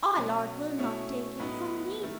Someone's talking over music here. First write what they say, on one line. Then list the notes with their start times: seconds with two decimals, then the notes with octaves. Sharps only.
"Our Lord will not take him from me!"
0.16 B2 F#3 C#4
0.78 B2 A3 C#4 E4
1.39 A2 F#3 B3 D#4
2.02 D#3 A3 E4